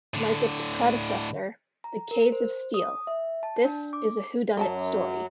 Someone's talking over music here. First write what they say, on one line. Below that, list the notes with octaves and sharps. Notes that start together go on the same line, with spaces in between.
Like its predecessor, "The Caves of Steel", this is a whodunit story.
A2 D3
A#5
A#4
C5
D#6
E5
A5
D4
D6
F#2 F#3 D#5 G5 A5